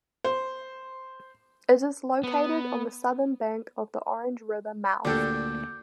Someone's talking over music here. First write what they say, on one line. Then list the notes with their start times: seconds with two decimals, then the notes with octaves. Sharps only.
It is located on the southern bank of the Orange River mouth.
0.24 C5
2.23 B3
5.05 D2 A#2 D3 G4 A4 D6 G6